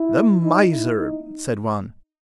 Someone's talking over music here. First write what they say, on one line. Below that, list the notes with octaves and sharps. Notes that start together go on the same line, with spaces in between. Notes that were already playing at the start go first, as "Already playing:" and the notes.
"The miser!" said one.
Already playing: E4
D#4
E4
D#4